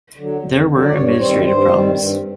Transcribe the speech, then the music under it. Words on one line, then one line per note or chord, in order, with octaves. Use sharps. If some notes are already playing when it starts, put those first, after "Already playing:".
There were administrative problems.
D3 F#3
F2
D3 F#3
D5
G2 C#5
C#5
D#3 G3 C4 C5
G2 C5
D#3 G3 C4
G2